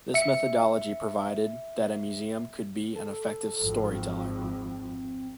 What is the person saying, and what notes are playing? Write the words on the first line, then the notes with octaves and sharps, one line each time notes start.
This methodology provided that a museum could be an effective storyteller.
E5 C#7
A4
G#1 F2
C4